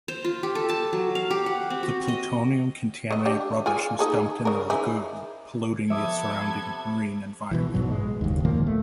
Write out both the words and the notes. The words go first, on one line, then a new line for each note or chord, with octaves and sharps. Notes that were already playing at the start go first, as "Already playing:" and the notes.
The plutonium-contaminated rubbish was dumped in the lagoon, polluting the surrounding marine environment.
C5
F4
G4
A4
A5
F#3
F5
G4
F#5
C4
F#4
D#5
A3 D#5
D4 G4
F4 G#4 G#5
D#4 G#4 A4
C#3 A#4
D#4 E4 G#4
C3 F3 B3 A4 E5 D6 D#6 G#6
B2 D3 E3
B1 G#2 B2 F#3
G#3
F#1 D#2
A#2 D#3 F3 A#3
A3